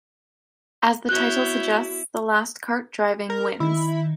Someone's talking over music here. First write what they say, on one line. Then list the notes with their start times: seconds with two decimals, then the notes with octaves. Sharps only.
As the title suggests, the last kart driving wins.
1.09 B3 E4 F#4 C#5 F#6 G6
3.30 A#4
3.60 D#3 E4